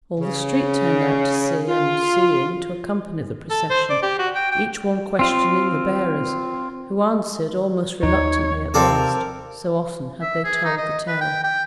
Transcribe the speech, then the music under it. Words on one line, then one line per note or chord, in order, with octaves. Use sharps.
All the street turned out to see, and, seeing, to accompany the procession, each one questioning the bearers, who answered almost reluctantly at last, so often had they told the tale.
C#3
F4
A4
C5
D5
G4
F#4
G5
G5
C4 F4
D#2 D#3 F3 D#4 C#5
C3 C4 A4 A#4 D5 F5 A6
E5
G#4
D#4
D#5
B4
G5
G5